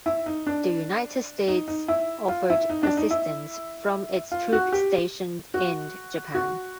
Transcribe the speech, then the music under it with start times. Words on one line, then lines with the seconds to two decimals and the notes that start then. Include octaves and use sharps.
The United States offered assistance from its troops stationed in Japan.
0.06 E4
0.26 D#4
0.46 D4
1.48 D#4
1.68 D#4
1.88 E4
2.29 F4
2.50 E4
2.70 D#4
2.83 D4
2.97 D#4
3.11 E4
4.32 F4
4.53 F#4
4.72 G4
5.54 F#4
6.35 F#4